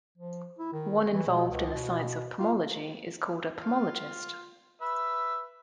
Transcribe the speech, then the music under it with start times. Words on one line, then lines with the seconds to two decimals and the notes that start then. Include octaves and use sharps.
One involved in the science of pomology is called a pomologist.
0.18 F3
0.59 E4
0.73 D#3
1.13 E3
1.27 B2
1.49 C#2
1.73 B2
2.39 F4
3.58 F4
4.81 B4 E5